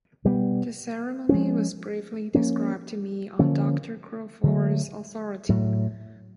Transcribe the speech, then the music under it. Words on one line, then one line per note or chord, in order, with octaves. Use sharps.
The ceremony was briefly described to me on Dr. Crawford's authority.
B2 G3 B3
F3 G#3 C#4
F3 A#3 C#4
D3 F3 A#3 C#4
D3 F#3 A3
A2 F#3 A3